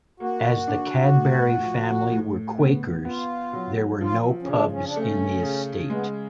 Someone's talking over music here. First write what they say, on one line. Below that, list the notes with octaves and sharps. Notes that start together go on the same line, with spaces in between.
As the Cadbury family were Quakers there were no pubs in the estate.
A#3 F#4
D4
A2
F3
A2
B3
B3 F4
F#3
F3 F4
C#4
C#3 D4
C#4
D4
A3 C#4
C#3
G#3 B3